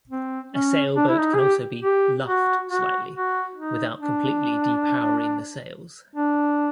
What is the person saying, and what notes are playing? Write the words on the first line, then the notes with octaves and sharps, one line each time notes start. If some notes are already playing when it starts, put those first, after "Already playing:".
A sailboat can also be "luffed" slightly without completely de-powering the sails.
C4
C#4
D4
E4
D#4
G#4
G4
G4
F#4
F#4
F#4
D#4
D4
D4